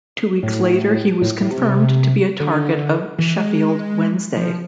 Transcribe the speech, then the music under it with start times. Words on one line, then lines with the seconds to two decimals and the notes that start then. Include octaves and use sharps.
Two weeks later he was confirmed to be a target of Sheffield Wednesday.
0.43 A2
1.21 A2
1.41 A2
1.51 C3
2.40 D3
3.19 E3
3.38 G#3
4.37 F3